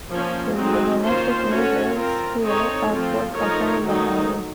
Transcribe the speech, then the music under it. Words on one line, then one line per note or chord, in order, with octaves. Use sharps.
The volumetric measures here are for comparison only.
F3 A#3 C#4
F#3 A3 C4 D#4 F#4
D#3 A#3 C#4 F4 C5
C#4 F#4 A4 C#5
C4 F4 A#4
C4 D#4 A4 C#5
F3 A3 C4 F4
F3 A3 D#4 A#4 C#5
D#3 F#3 A3 D#4